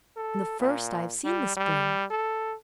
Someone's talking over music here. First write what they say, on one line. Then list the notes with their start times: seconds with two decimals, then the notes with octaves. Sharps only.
And the first I have seen this spring.
0.17 A4
0.60 A#2
1.24 G3
1.56 G3
2.10 A4